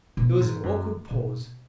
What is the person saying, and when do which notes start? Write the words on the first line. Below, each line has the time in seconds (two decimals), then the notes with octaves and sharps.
There was an awkward pause.
0.17 B2
0.40 G#2
0.63 F#2
1.11 B2